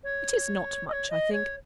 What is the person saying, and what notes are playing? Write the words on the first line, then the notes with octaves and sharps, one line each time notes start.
'It is not much, I think.
C#5
D#5
C#5
D#5
C#5